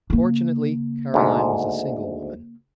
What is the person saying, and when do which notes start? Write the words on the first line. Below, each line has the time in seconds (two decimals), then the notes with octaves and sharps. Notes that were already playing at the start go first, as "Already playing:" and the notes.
Fortunately, Caroline was a single woman.
0.10 C#3 A#3
1.14 D2 G#2